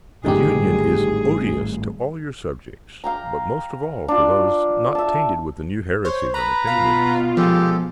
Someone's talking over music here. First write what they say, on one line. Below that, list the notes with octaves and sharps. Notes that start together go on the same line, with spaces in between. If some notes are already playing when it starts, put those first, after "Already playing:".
The union is odious to all your subjects, but most of all to those not tainted with the new heresies and opinions.
G#1 A2 D3 G3 D#4 G4 G#4
F5 G5 A#5
D4 F4
E5 A5
C5 C#5
B4 A#5 B5
B2 F4 F5 B5
F3 G#3 G4 A4